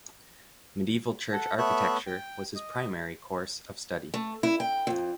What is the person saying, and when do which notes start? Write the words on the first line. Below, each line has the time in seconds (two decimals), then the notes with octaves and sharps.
Medieval church architecture was his primary course of study.
1.33 A4 F#5
1.58 A3 B3 C#5 E5 F#6
2.07 G5
2.55 D#5
4.14 A3
4.43 E4
4.60 G5
4.87 F2